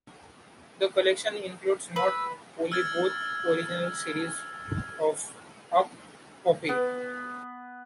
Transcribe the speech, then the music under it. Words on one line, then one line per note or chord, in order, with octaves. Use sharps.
The collection includes not only both original series of Up Pompeii!
B4 E6
E6 F6 G#6 A6
B3